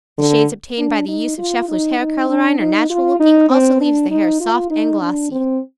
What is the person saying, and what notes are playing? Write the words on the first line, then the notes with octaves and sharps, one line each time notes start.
The shades obtained by the use of Scheffler's Hair Colorine are natural looking also leaves the hair soft and glossy.
D3
D4
D#4
F4
D#4
D#4
D4
D#4
F4
D#4
C4
D4
D#4
F4
D#4
D4
C4